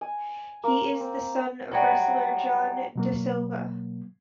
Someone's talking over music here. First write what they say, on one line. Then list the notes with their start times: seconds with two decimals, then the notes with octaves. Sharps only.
He is the son of wrestler John da Silva.
0.01 G#5
0.64 A#3
1.00 C4
1.71 A2 F#3 G3
2.96 B2 F#3 A#3